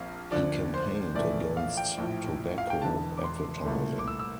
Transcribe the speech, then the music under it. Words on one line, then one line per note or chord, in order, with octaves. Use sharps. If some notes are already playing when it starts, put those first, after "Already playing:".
He campaigned against tobacco advertising.
Already playing: A#1 A#2 F3 C4 F5
D2 D3 F3 D5
C5
A#1 A2 E3 A3 D5
F5
G5
A#1 A2 F3
F5
G5
E1 E2 D3 A5
D6
C6
C2 A#2 A3
D6
E6
E6